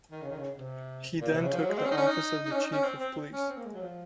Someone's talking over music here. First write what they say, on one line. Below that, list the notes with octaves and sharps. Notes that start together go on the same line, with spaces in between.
He then took the office of Chief of Police.
D#3
C#3
D#3
C#3
C3
A#2
C3
C#3
F3
F#3
G#3
C4
C#4
D#4
C#4
D#4
D#4
C#4
D#4
C#4
C4
C4
C#4
C4
A#3
G#3
F#3
F3